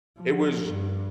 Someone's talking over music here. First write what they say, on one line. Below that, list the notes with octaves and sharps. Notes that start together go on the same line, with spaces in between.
it was
F3
G2